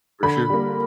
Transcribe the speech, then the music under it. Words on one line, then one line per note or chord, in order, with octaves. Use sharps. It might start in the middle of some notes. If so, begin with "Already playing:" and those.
For sure.
D3 B5
G3 A#3